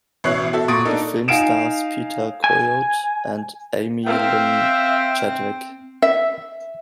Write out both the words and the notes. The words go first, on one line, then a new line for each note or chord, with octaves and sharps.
The film stars Peter Coyote and Aimee Lynn Chadwick.
A1 B2 E4 C#5 F#6 C7
F#4 A4 E5
A#2 C#6 D#6 A6 D7
D4 D#4 A4 A#4
D#4 F5 G#5 D7 E7
G#5
C4 E5 F5 G5
E5